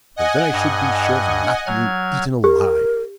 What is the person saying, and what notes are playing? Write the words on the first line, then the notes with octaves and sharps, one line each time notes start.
"Because then I should be sure of not being eaten alive!"
D#5 F#5 G#5
G2
F#3 F6 G#6
G4 A#4